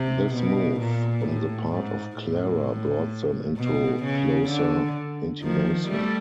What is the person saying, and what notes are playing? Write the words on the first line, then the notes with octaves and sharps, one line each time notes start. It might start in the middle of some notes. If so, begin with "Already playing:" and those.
This move on the part of Clara brought them into closer intimacy.
Already playing: C3
B2
A#2
A2
G#2
A2
B2
C#3
D3
D#3 F3
G3 A3